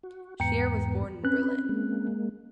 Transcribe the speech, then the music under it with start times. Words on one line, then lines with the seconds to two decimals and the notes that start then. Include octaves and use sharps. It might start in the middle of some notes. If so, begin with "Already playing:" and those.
Scheer was born in Berlin.
0.03 F#4
0.40 E2 G#2 B3 G5 A#5 C#7
1.24 C4 C#4 B4 F#6
1.69 G#3 A#3